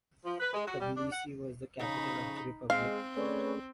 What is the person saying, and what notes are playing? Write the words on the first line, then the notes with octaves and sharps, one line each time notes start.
Tbilisi was the capital of the republic.
F3
B4
G#3
F#4
G3
D4
F#5
F2 C#3 D#4 B5
G#3 C4 F5
A3 C#4 G#4 B4 C#5 D5